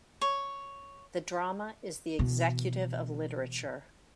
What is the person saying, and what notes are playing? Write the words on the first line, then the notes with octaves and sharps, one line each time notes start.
The drama is the executive of literature.
C#5
B2 E3